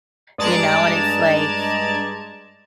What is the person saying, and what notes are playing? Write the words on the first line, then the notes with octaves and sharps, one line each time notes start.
you know? And it's, like,
G2 G#3 D5 A5 A#5 G#6